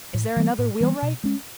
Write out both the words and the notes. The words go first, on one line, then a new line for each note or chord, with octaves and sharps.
"Is there another wheelwright?"
A2
E3 G3 B3
A2
E3 G3 B3
B2
G#3 C#4